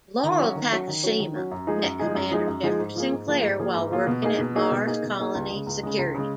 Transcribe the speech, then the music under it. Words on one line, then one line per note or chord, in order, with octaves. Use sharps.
Laurel Takashima met Commander Jeffrey Sinclair while working at Mars Colony Security.
D#3
F#3 C#4 F#4
D#3
F#3 C#4 F#4
D#3
F#3 C#4 F#4
D#3
F#3 C#4 F#4
F#2
F3 G#3 D#4 G#4
F#2
F3 G#3 D#4 G#4
F#2
F3 G#3 D#4 G#4
F#2
F3 G#3 D#4 G#4
G#2
F3 A#3 F4 G#4
G#2
F3 A#3 F4 G#4
G#2
F3 A#3 F4 G#4
G#2
F3 A#3 F4 G#4
B2
A#3 D#4 G#4
B2
A#3 D#4 G#4
B2
A#3 D#4 G#4
B2
A#3 D#4 G#4
C#2
C#3 G#3
C#2
C#3 G#3
C#2
C#3 G#3